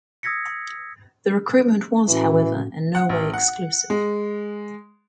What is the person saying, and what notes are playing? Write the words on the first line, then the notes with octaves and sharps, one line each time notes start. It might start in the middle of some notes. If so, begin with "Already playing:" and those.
The recruitment was however in no way exclusive.
D#6 E6 G#6 A#6 B6 C#7
A2 E3 C#4 F#4
F#5
A1
F#5
G#3